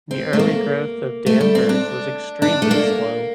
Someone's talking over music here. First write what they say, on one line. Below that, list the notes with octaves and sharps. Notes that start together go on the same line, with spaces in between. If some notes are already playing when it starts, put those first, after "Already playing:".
The early growth of Danvers was extremely slow.
C4
A3
A#3
A3
G3
C4
D4
D4
A3
A#3